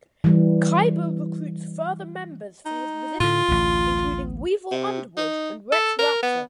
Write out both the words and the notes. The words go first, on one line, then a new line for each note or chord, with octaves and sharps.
Kaiba recruits further members for his resistance, including Weevil Underwood and Rex Raptor.
E3 G3
D#4
A2 D3 F4
A1 D2
C3
D#4
A4
A#4
B3